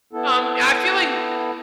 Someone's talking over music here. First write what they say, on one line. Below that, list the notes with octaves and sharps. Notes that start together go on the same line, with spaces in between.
Um, I feel, like, w
B3 E4 A4